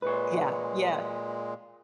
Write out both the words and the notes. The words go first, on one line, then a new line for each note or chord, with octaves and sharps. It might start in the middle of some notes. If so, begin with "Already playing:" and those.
Yeah. Yeah.
A#2 G#3 B4 C#5